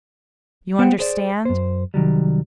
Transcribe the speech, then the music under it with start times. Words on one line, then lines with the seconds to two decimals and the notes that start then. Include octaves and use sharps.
You understand?
0.79 B3 C5 F#5 G5
0.99 G#4 C5 D5
1.45 F#2 C5
1.94 C2 D#3 F#3 G3